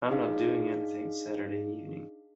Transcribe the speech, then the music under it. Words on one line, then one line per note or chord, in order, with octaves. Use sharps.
I'm not doing anything Saturday evening.
D4 D#4 G#4 F5